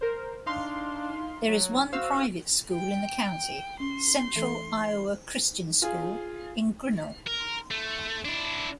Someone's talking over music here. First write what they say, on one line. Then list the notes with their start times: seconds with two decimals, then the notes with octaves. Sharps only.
There is one private school in the county, Central Iowa Christian School, in Grinnell.
0.01 A#4 C5
0.46 D4 D#4 F5 C6
1.46 F#3
1.92 F#4 C5 F5 E6
2.73 G5
3.80 C#4 C6
4.36 E3 A3 A4
5.82 F4 G#4
7.26 A#4
7.71 A3
8.25 D4 E4